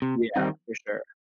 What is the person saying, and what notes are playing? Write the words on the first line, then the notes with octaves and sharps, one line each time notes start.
Yeah, for sure.
C3
D#3 G3 C4 D#4